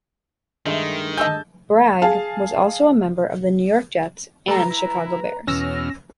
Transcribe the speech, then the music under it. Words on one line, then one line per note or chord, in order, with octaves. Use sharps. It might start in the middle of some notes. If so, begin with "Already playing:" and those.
Bragg was also a member of the New York Jets and Chicago Bears.
G2 D#3 G#3 A3
D#5 G#5 A5 E6 G6
G#4 F5 A5
G3 A3 A4 B4 A#5
E4
E2 B2 C#4 E6 F6 A#6